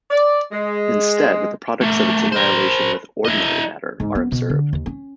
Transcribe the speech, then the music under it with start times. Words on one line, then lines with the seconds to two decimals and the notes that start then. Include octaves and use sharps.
Instead, the products of its annihilation with ordinary matter are observed.
0.10 D5
0.52 G#3
1.81 A3 A#3
2.32 A#4 C5
3.25 E4 D#5
4.00 G#2
4.15 B3
4.32 B2
4.50 D3
4.73 D#2
4.86 C#4